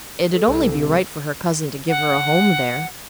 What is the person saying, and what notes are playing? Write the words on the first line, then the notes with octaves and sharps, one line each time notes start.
"It'd only be right for her cousin to give her a home there."
A4
C2
A4
F#5